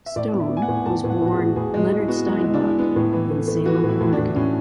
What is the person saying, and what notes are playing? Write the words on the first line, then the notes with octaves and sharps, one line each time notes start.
Stone was born Leonard Steinbock in Salem, Oregon.
E5
A2 D5
B3
E5
B3
G#5
F#5
A2
A2 A5
A2
F#5
A2 F#4
G#4
A2
A2 G#4
G#3
G#3 F#4
E4
B3 F#4
G#3 F#4
G#3 E4
D4
G#3
E4
B3
A2
E3
A3
A3
E3 F#4
A2
E4
A2
D4
A2
A2 C#4